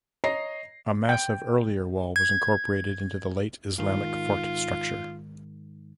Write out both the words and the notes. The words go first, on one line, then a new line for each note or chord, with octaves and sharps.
A massive earlier wall was incorporated into the late Islamic Fort structure.
C#5 D#5 A#5 A#6 C7
G5
G#6
G#2 D#3 F4